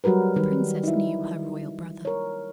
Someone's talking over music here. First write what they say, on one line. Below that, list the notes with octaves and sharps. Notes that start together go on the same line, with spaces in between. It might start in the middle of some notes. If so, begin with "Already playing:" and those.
The princess knew her royal brother.
F#3 G3 F#4 A#4 B4
D#3 G3 B4
D#4 E4
A#4 C#5